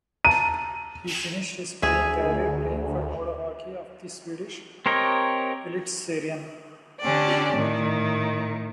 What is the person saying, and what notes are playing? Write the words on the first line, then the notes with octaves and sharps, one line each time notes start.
He finished his playing career playing for Modo Hockey of the Swedish Elitserien.
A5 A#5 D#7
D2 G#4 E5
C4 G4 A#4 C#5 D#5
D3 C#4 D4 G4 D5
A2 D#3